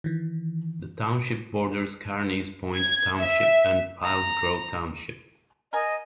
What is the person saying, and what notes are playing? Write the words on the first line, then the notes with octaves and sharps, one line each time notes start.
The township borders Carneys Point Township and Pilesgrove Township.
D#3 E3
G#6
E5
A#5
A#4 D#5 G#5